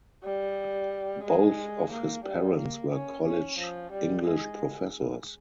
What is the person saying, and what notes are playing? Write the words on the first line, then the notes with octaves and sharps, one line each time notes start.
Both of his parents were college English professors.
G3
G#3
A#3
G3
A#3
C#4
C#4
F3
G3
G#3